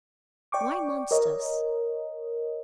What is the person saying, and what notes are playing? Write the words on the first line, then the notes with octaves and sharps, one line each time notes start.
Why monsters?
D5 G5 C#6 D6
A#4 C#5 D#5